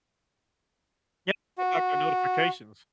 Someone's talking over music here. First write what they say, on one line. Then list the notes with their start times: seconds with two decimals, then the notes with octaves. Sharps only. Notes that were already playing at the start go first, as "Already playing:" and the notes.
Yeah, with like the notifications.
1.58 F#4